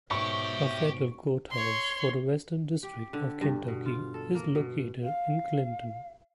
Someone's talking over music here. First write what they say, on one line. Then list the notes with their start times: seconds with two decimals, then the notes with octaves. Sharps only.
A federal courthouse for the Western District of Kentucky is located in Clinton.
0.11 G#2 B2 G4 C#5 E5 C#6
1.51 C#5 C6
2.83 G4
3.13 D3
3.41 G2
3.68 B2
3.85 F4
4.14 A4
4.35 A#3
4.55 B2
5.04 F5